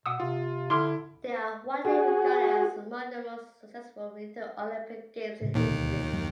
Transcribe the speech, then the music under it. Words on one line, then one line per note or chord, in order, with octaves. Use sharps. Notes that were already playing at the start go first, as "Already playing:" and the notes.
They are widely regarded as among the most successful winter Olympic Games in history.
B2 F#5 D#6 E6
C3 F4
D3 E4 C6 D6 F6
F#4 G#4
A2 C#3
D#2 A#2 D#3
D1 D2 B2
D1 F#2 F#3